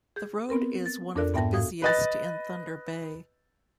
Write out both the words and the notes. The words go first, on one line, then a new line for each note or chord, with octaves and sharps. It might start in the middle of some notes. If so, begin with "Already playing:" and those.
The road is one of the busiest in Thunder Bay.
G#4 G6
B3 C4 A#4 B4
A6
F2 D4 A4 A#4 D5 F#6
G#2 B3 E5 G5 A5 A#6
A2 F#4 F5 D#6 G#6
B4 D#5 A6